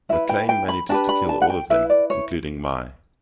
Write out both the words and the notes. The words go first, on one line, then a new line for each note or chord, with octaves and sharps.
McClane manages to kill all of them, including Mai.
E4 B4 E5
G5
G5
B5
D4 G4 B4 A5
B5
A5
F#5
G5
E4 B4 E5
D5
C#5